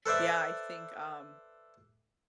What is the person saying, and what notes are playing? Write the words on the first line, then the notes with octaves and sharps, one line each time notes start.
Yeah, I think, um,
A4 B4 C5 D5 E5